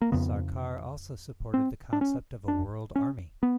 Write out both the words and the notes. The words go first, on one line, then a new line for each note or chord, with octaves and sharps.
Sarkar also supported the concept of a world army.
A#3
F2 C#3 B3
C4
D4
C#4
D4
C#4
B3